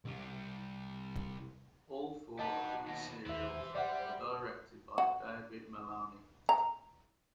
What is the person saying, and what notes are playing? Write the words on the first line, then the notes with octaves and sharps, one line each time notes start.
All four of these serials were directed by David Maloney.
C2 G3
G3 D#4 F#4 B4 D#5 A5
D#2 B2
D#2 E3 G4 C5 E5
G3 D5 E5 F#5
F#4
A#5